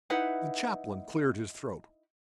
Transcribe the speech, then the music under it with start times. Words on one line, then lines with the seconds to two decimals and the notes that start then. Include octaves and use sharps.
The chaplain cleared his throat.
0.10 D#4 E4 B4 F#5